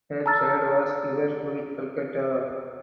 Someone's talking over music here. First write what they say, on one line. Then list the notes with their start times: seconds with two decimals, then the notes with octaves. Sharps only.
Her trade was Liverpool–Calcutta.
0.26 A5 A#5 E6 F6 A6